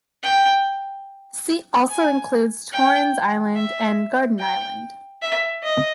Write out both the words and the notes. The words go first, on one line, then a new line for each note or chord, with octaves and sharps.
The seat also includes Torrens Island and Garden Island.
G5
G#5
G5
E5
G5
E5
D#5